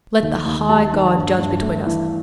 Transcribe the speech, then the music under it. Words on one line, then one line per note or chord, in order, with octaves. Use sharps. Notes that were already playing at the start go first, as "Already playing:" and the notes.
'Let the high God judge between us.
D#2
D#2
G3 A5
D#3
G2
G2
A3
E3